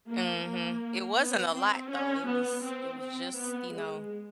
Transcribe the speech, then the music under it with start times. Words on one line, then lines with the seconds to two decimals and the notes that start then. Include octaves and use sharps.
Mhm. It wasn't a lot, though. It was it was just you know?
0.08 A#3
0.45 A#3
1.18 B3
1.54 C4
1.90 C#4
2.27 B3
2.63 C4
3.00 C4
3.36 B3
3.72 G#3